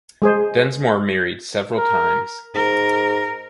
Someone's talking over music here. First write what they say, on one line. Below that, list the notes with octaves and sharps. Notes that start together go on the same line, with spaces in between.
Densmore married several times.
G#3 G#4 C5
A#4
G#2 A#4